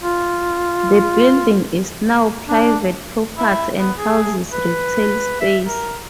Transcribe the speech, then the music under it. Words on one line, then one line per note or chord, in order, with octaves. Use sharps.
The building is now private property and houses retail space.
F4
D4
E4
B3
G#4
B4
E5
A#4